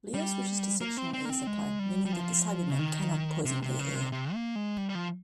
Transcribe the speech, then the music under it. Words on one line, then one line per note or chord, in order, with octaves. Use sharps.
Leo switches to sectional air supply, meaning that the Cybermen cannot poison their air.
G3
A#3
C4
C4
A#3
C4
G#3
G3
G3
F3
C#3
D#3
C3
C3
C#3
C3
C3
A#3
G#3
G3
G3
F3